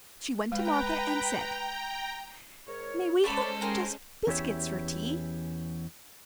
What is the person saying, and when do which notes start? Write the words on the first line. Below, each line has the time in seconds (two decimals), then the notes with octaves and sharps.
She went to Martha and said, 'May we have just biscuits for tea?
0.52 G#3 B4 F5 G5 A#5
2.68 G#2 A#4 C#5
3.24 G#3 A3 C#4 A4 C5 D5 A5 B5
3.61 D#2 G#4 A#4 G5 A#5 C6
4.27 E2 C#4 E4 G4 C#5 E5